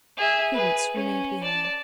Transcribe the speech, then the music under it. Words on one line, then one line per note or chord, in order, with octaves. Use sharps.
Prudence remained behind.
G#4 E5
G#4 B4
C#4
D5 A5